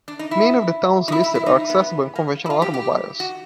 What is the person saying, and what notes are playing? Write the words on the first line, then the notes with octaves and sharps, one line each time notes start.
Many of the towns listed are accessible in conventional automobiles.
D4
D#4
E4
D#4
E4
E4
E4
D#4
B3
A#3
E4
F4
G4
G4
F#4